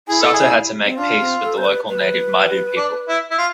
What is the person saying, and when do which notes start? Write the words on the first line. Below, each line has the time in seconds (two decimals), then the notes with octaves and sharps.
Sutter had to make peace with the local native Maidu people.
0.08 E4 G#4
0.21 A4
0.33 G#4
0.86 C4
0.98 D4 F4
1.20 C4
1.43 A4
1.58 C5
1.65 B4
1.88 B4
2.77 D4
3.08 E4
3.31 E4
3.38 F4